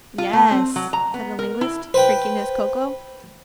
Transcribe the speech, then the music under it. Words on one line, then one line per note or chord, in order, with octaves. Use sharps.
"Yess," said the linguist, drinking his cocoa.
F4
A3
C4
F#3
A#5
B3
A#4
E4
B4 C5 G5